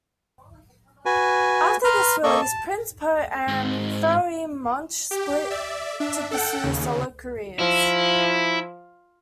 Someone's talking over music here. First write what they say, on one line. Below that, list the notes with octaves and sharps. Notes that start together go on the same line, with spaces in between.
After this release, Prince Po and Pharoahe Monch split to pursue solo careers.
F#4 B4 G#5
B4 A#5 C6 F6
A#3 A4 D#5 C#6
A5
G#2 C4
G4
D5 E5
D4 E5
A4 F#5 G5
D#2 C#3
F3 E4